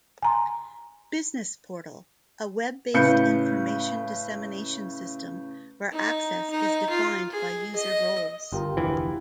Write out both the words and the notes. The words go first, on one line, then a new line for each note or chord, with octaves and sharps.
Business Portal: A web-based information dissemination system where access is defined by user roles.
G#5 A#5 C6
A2 C#3 B4 G6 C#7
D#4
D#4
F4
G#4
D#5
G1 F4 G4 A#4
F1 D2 E3